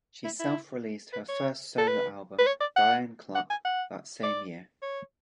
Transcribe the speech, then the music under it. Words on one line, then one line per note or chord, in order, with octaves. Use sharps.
She self-released her first solo album, "Diane Cluck", that same year.
E4
E4
B4
C#5
A4
B4
B4
C#5
D5
F#5
F#5
G#5
F#5
D5
C#5